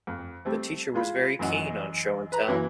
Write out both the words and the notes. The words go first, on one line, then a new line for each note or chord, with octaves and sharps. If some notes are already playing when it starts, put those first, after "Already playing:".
The teacher was very keen on Show and Tell.
F2
G3 A3 C4
G#3 F4 B5
A1 F#2 D#5 F#5
B4 A#5
F#2 E3 F#3 A#3 E4